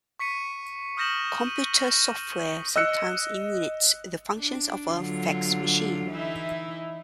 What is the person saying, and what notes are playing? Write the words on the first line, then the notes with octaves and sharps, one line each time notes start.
Computer software sometimes emulates the functions of a fax machine.
C#6 B6 C#7 D#7
D#6 F6 G6 A#6 E7 F#7
D#7
D#5 E6 F#6 C#7
D4
D3 F#3 F4
E3 D#4 E4